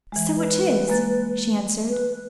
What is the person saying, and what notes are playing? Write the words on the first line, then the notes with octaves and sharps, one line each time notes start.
"So it is," she answered.
E3 G#3
B4
G#3 A#3 A6
B4